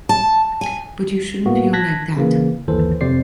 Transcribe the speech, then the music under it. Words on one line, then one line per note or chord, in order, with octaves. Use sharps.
But you shouldn’t feel like that.
A5
G#5
A2 A#3 B3 F#4
A5 F#6 G#6 A#6 B6
C#3 E3 A#3
G1 D#2 E3 A4 C5
F2 C3 C5 D5 C7